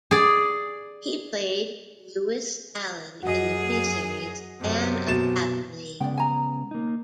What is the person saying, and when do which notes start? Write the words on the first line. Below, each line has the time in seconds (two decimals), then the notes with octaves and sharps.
He played Lewis Allen in the miniseries "Anne of Avonlea".
0.11 G#4 D5
3.23 F#2 F#4 G#4 D#5
4.60 F#2 C3
5.08 B2 A6 E7
6.00 C#3 G#3 B3 D5 G5
6.18 G#5 A#5
6.71 A#3 D#4